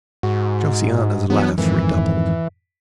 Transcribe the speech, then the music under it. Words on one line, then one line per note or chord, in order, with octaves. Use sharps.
Josiana's laugh redoubled.
G#2 F#4
E3 F#3 B3 D4
F2 G#2 D#3 E3